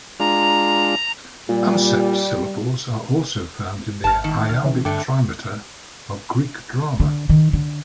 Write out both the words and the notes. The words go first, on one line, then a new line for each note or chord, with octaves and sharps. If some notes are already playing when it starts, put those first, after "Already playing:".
Anceps syllables are also found in the iambic trimeter of Greek drama.
G#3 D4 F4 A#5
A#2 G3
G#1 A5 F6
D#3
D2 F6
C#3 E3
G2 D3 A3 G5 D6
D3
D#3
D3